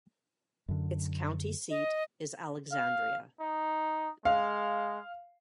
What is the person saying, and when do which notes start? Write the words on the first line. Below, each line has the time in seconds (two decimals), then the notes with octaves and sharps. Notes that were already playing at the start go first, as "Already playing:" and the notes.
Its county seat is Alexandria.
0.68 F#2 D3
1.70 D#5
2.72 F5
3.40 D#4
4.25 G#3 F5